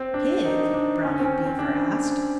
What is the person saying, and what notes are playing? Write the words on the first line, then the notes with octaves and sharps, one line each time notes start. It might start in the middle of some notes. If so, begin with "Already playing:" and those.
"Pig?" Brownie Beaver asked.
Already playing: C4
D4
D#4
D4
C#4
C4
C#4
C4
D4
C#4